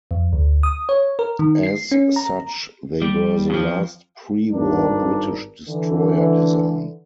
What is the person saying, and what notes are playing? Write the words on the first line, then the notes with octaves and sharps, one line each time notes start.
As such they were the last pre-war British destroyer design.
F2
D2
D#6
C#5
A#4
D#3
C7
C#4
A#5
G3
F2 F3
G#1 G2 D4 A#4
D3 E3